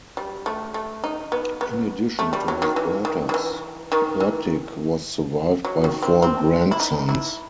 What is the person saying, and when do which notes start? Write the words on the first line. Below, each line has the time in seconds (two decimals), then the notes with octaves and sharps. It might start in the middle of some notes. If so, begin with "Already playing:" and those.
In addition to his daughters, Hurtig was survived by four grandsons.
0.17 G3
0.46 A3
0.74 A3
1.04 D#4
1.32 B3
1.61 B3
2.19 A3
2.33 G3
2.48 F#3
2.62 D#3
2.76 E3
3.05 D#3
3.29 D#3
3.34 E3
3.92 D#3
4.20 E3
5.65 F#3
5.84 D#3
6.02 C4
6.22 C4
6.71 E4
6.80 D#4
7.09 E4